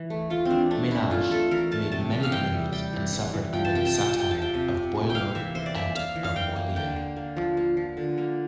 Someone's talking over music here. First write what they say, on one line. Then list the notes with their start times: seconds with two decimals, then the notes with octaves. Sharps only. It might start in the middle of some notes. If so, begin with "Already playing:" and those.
Ménage made many enemies and suffered under the satire of Boileau and of Molière.
Already playing: E3
0.10 A3
0.30 A3 F4
0.45 C4
0.51 E3 D4
0.70 A3 D4
0.91 E3 E4
1.11 A3 F4
1.31 A3 A4
1.51 E3 A#4
1.71 A3 A5
1.92 C3 A5
2.12 C3
2.23 F5
2.32 E3 G5
2.52 G3
2.72 G3 G5
2.93 E3
3.13 E3
3.33 E3
3.53 F3 G5
3.65 A5
3.73 C3 G5
3.86 A5
3.94 F3 G5
4.09 C3 A5
4.20 G5
4.31 F3 A5
4.42 G5
4.54 C3
4.74 C3
4.95 C3
5.10 G5
5.15 A#3 F5
5.35 E3 E5
5.55 E3 C5
5.66 D5
5.75 A#3 E5
5.95 A#3 F5
6.16 E3
6.24 F5
6.36 E3 G5
6.56 A#3
6.76 D3 G5
6.96 A#3
7.17 A#3
7.37 F3
7.57 A#3
7.77 F3
7.97 D3
8.18 A#3